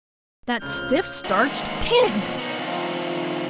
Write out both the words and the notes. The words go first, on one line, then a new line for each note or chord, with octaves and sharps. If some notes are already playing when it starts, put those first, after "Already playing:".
'That stiff-starched PIG!'
F1 C#2 F6 G6
D#3 E3 G#3 A#3 D#4 F#4
B2 F3 A#3 C#4 E4 F#4
B3 D#4
D#3 F3 A3 C4 D#4 F4